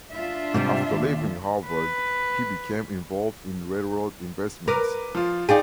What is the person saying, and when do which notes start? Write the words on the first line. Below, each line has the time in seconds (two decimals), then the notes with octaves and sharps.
After leaving Harvard he became involved in railroad investments.
0.13 D4 F4 E5
0.54 G#2 C3 G3
0.92 D#2
1.67 B4
4.68 A#4 B4 D6
5.15 F3 F4
5.49 D#4 F4 G#4 D5 G5